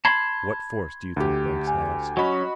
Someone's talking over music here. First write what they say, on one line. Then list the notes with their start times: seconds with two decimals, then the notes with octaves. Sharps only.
"What force do you think Banks has?"
0.05 A5 B5 C6 G#6
1.16 D2 G4
1.67 G#5
2.17 F#3 C#4 F#4 D#5 B5